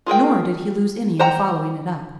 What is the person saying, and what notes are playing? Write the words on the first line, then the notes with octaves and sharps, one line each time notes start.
Nor did he lose any in following it up.
F4 G#4 A#4 G5
C5 F#5 G5 A#5